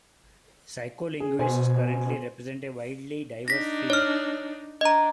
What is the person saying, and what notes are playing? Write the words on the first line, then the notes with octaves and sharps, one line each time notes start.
Psycholinguists currently represent a widely diverse field.
G#4
B2 C5 G#5
D4 D#4 A#6 B6
C#5 F6
D4 D#5 A#5